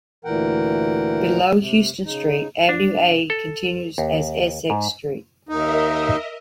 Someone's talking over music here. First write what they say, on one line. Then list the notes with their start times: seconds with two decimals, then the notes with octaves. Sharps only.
Below Houston Street, Avenue A continues as Essex Street.
0.25 D2 A#2 E3 A#4 F#5 G5
1.57 C3
2.05 C#3 D#4
2.69 D4
3.30 A4
3.98 D#2
4.70 G#2
5.49 D#2 D#4 A#4 D#5 E5